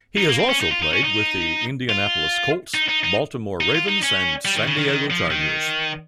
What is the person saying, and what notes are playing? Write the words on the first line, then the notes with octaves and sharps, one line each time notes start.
He has also played with the Indianapolis Colts, Baltimore Ravens and San Diego Chargers.
D#4
A#3
C4
C#4
D#4
F4
D#4
C#4
D#4
F4
D#4
D#4
D#4
D#4
F4
D#4
C#4
G3
D#3
C#3
D#3
D#3
F3
D#3